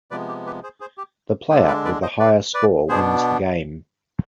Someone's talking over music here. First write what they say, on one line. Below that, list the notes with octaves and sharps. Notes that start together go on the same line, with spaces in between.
The player with the higher score wins the game.
C3 F3 G#3 B3 B4 D5
G4
G4 B4
G#4 C5
G#4 C5
G4
D3 G#3 D4 G#4 C5
B4 D5
B4 D5
C5 D#5
B4 D5
B4 D5
B2 B3 D4 G#4 C5